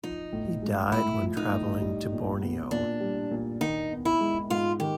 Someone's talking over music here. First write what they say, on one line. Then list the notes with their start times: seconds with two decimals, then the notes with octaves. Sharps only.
He died when travelling to Borneo.
0.03 F3 D#4
0.32 A2
0.62 G#3
0.92 A2 E4
1.23 F3
1.37 D#4
1.52 A2
1.81 G3
2.12 A#2
2.41 B3
2.71 A#2 D4
3.01 G3
3.31 A#2
3.60 D#3 D#4
3.91 B3
4.05 E4
4.20 G#3
4.50 G#2 F4
4.80 D#3 G4